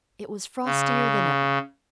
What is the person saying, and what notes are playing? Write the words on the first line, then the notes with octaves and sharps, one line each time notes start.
It was frostier than ever.
C#3